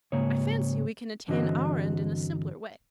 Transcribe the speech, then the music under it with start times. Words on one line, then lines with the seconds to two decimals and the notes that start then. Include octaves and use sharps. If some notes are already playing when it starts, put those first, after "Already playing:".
I fancy we can attain our end in a simpler way.
0.12 G#2 C#3 A#3 C#5
1.28 G2 D3 E3 C4 F#4 D#5